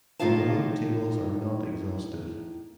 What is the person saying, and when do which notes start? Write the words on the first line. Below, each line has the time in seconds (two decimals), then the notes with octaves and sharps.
The below tables are not exhaustive.
0.19 A2 C#4 D#4 F4 F5 A5